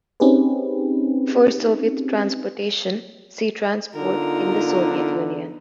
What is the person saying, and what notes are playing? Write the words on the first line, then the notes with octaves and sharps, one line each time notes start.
For Soviet transportation, see Transport in the Soviet Union.
C4 C#4 D#4 G4 G#4 B4
D3 B3 D#4 F4 A#4